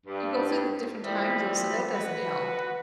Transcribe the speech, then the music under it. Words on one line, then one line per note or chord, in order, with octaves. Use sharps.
You go through the different time zones, so that doesn't help.
G2
E3 F3 G3
F#4 B4